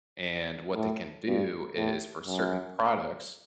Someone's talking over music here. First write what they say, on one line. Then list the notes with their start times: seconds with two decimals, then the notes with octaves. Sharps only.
And what they can do is for certain products,
0.75 A2
1.26 G2
1.76 A2
2.27 F#2